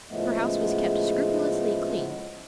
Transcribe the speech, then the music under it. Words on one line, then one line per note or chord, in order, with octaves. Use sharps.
Her house was kept scrupulously clean.
A2 C#3 F3 G#3 A3 B3